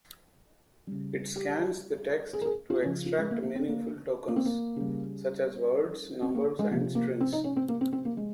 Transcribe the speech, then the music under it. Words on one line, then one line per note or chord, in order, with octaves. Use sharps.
It scans the text to extract meaningful "tokens", such as words, numbers, and strings.
C#3 G3
G4
G#4
A#4
G#4
F4
C#3 F3 C#4
F4
G#3
A#3
A#3
C4
A#3
A#3
C4
A#3
C#3 G3
C4
A#3
G#3
C3 F3 A#3
A#3
C4
D#4
C#4
C4
A#3
C4
C4
A#3
G#3